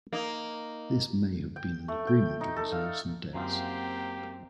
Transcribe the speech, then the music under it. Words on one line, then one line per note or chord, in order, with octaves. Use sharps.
This may have been an agreement to resolve some debts.
A#3 D#4
G5
A3
G5
D#4
A4
F5
F#2 A#3 C4 F4 G4 F5